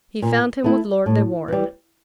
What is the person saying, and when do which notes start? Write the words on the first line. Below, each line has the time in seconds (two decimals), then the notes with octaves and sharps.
He found him with Lord de Warenne.
0.22 A#2
0.64 A3 E4
1.06 A2
1.48 E3 G3